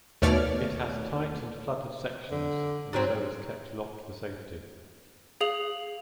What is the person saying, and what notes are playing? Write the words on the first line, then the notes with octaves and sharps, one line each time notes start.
It has tight and flooded sections, and so is kept locked for safety.
D#2 B2 A3 C#5 D5 F6
D3
G#2 F#3 C4
G#4 F5 D#6 F7 F#7